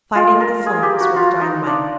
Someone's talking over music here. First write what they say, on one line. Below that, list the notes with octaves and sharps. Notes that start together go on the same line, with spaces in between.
Fighting the Flames With Dynamite.
F4
A#4
G#4
G4
F#4
F4
D#4
D4